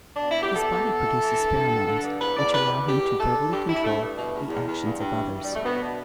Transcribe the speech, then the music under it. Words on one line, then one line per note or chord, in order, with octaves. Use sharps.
His body produces pheromones which allow him to verbally control the actions of others.
D4
B2
E4
B2 G4
B2 A4
B2
E3
E3
E3
G2
G2
D3
D3
G2
E2 B4
E2 D5
B2 B4
B2
E2 G4
E2
D3 A4
D3
G2 G4
G2 E4
G2 A3
G2
B2
E2
E2
E2
G2
G2
E3
G2
G3
B2 A3
B2 B3
D4